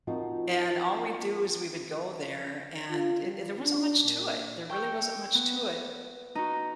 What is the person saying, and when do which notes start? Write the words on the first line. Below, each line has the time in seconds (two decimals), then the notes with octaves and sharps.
and all we do is we would go there and it there wasn't much to it there really wasn't much to it,
0.07 F3 C4 D#4 F4 F#4 A#4
2.90 F4
3.22 G3
3.61 D4
4.05 A#2
4.70 G5 C#6 E6 G6
5.35 B3
6.35 D#4 F#4